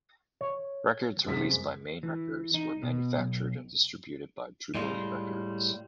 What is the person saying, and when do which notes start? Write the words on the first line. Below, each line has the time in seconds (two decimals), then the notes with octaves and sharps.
Records released by Maine Records were manufactured and distributed by Jubilee Records.
0.41 C#5
1.26 F#2 C3 G#3 B6
2.03 E3
2.54 D#4
2.83 B2
3.17 B1
4.75 A2 G3 G#3 F4